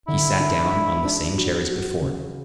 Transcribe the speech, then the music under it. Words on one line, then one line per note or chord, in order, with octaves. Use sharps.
He sat down on the same chair as before.
D3 E4
D4
G#3
D4
F#3
F#3
C#3